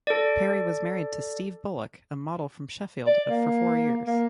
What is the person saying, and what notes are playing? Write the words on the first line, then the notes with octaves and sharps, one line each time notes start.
Perry was married to Steve Bullock, a model from Sheffield, for four years.
A4 D5
D5
A#3
A#3